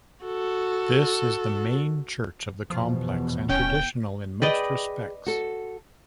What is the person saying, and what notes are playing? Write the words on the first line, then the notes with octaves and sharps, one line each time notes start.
This is the main church of the complex, and traditional in most respects.
F#4 A4
E2 B2 F3
D1 C#4 G5
G#4 B4 D5 D#5 G5
F#4 A4